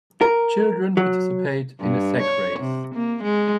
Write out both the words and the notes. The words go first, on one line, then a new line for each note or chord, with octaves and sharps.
Children participate in a sack race.
A#4
F#3
G2
C#5
C3
A#3
G#3